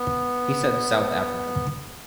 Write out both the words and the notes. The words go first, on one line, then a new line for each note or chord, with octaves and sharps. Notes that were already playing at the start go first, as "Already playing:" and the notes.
He said, South Africa.
Already playing: B3